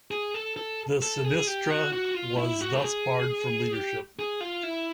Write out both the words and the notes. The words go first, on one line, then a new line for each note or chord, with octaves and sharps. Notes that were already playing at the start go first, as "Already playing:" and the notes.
The Sinistra was thus barred from leadership.
G#4
A4
A4
A4
G#4
G4
F#4
F#4
F4
E4
F#4
A4
G#4
G4
G#4
F4
E4